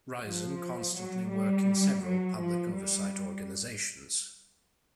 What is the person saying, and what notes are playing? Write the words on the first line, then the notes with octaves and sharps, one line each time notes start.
Ryazan constantly working several public oversight organizations.
F3
F#3
G3
F#3
F3
G3